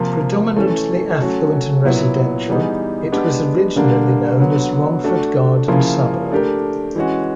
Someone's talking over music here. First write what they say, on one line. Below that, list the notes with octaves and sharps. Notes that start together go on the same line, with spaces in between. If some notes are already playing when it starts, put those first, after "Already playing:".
Predominantly affluent and residential, it was originally known as Romford Garden Suburb.
Already playing: C3 F3 A#3
E3 A3 C#4
F#3 A3 C#4 F#4
A#2 F#3 B3 E4
E3 G3 B3 D#4 G#4
G#3 B3 D4 G4
D3 G3 A#3 D4
D3 F#3 B3
A3 D4 F#4
C#3 F3 A#3 C#4 E4
A3 D4 G4 A#4
E3 G#3 C#4 F#4